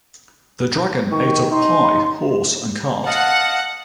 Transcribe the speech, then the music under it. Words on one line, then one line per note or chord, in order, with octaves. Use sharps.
The dragon ate up pie, horse and cart.
D#3 C#6
D#4 C6
D#5 F5 F#5 A5